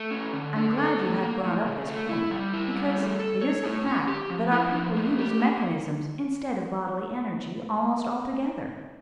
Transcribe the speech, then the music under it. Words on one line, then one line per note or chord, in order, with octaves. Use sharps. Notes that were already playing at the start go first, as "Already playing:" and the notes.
I am glad you have brought up this point, because it is a fact that our people use mechanisms instead of bodily energy, almost altogether.
Already playing: A3
C#4
D3
D4
A4
A2
A#3
A2
C#3
A3
E4
G3
E4
G3
A3
A4
C#5
A2
C#4
G4
F3
E4
F3
A#3
G4
A#3